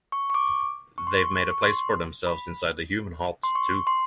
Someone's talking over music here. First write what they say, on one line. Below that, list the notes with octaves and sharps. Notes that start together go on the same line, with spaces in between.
They’ve made a place for themselves inside the human heart, too.
C#6
C#6
D6
C#6
C6
C#6
C#6
C6
B5
C6
C#6
C6